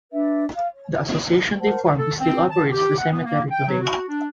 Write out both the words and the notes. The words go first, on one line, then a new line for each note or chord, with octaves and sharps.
The association they formed still operates the cemetery today.
D4 B4 E5
F5
C#5
A#4 C5 F#5 A5
A4
C4
A5
G4
F#5
B3
A#3
G5
F#3
F#4
D4